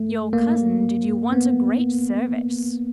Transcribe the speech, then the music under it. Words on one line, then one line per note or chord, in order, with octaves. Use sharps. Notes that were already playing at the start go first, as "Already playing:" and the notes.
Your cousin did you once a great service.
Already playing: A3
A#3
B3